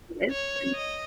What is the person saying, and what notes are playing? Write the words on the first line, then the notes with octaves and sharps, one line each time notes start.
this and
C#5
D#5